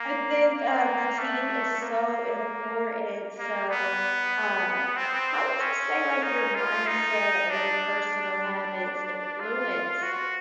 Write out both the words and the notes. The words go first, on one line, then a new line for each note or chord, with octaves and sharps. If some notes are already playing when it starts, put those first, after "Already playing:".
I think, uh, routine is so important. So, um, how would you say like your mindset or your personal habits influence,
Already playing: A#3
A#3
A3
A#3
A#3
B3
C4
C#4
D#4
F4
D#4
D4
F4
F#4